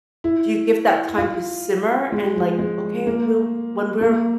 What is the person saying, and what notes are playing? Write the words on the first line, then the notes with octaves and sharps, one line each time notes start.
Do you give that time to simmer and, like, "Okay, we'll when we're
E4
F4
G#3
F3
G#3
A#3
A#3